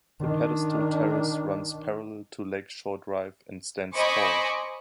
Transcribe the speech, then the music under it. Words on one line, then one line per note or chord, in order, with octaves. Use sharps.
The pedestal terrace runs parallel to Lake Shore Drive and stands tall.
D#3 D4
C5 D#5 G#5 B5 C#6 D6